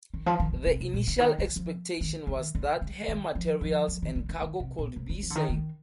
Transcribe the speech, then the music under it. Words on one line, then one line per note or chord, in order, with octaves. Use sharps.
The initial expectation was that her materials and cargo could be saved.
D#3
F3
D#3
D3
C3
C3
A#2
D3
D#3
D3
F3
D#3
D#3
D3
D3
D#3
F3
F3
F3
D#3
D3
D#3
D#3
C3
A#2
C3
D3
F3
D3
D#3
D#3